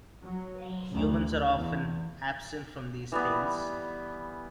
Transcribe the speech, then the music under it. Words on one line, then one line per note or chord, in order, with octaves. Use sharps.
Humans are often absent from these tales.
F#3
D2
E2
E3 G3 B3